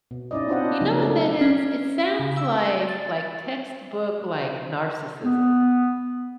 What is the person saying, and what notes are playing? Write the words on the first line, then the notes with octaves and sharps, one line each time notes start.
you know what that is? It sounds like like textbook, like, narcissism,
B2
C#4 D#4 E4 D5 D#5
C4 D4 F4 C5 D#5 F#5
F4
C#3 F3 F#3 A#3 C#4 D#4
A3 D#4 F4 A4 A#4
C#4
C#3
E6
A6
B3